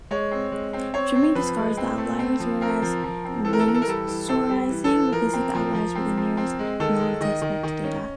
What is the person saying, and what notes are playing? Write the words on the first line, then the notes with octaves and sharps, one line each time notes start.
Trimming discards the outliers whereas Winsorising replaces the outliers with the nearest "nonsuspect" data.
G#3 C#5
C4
G#3
C4
C4 C#5
C4
F3 B4
G#3
C4
A3
C4
F3
C4 A#4
F3
F3
C4
E3 A4
A#4
A4
E3 A#4
A4
A#4
G3 A4
E3
C4 A4
G3
E3
A4
E3
F3 A#4
C4
F3
F3
C4
F3
C4
G#3
D#3 A4
G#3
D#3 D#5
D#3
D#3
C#4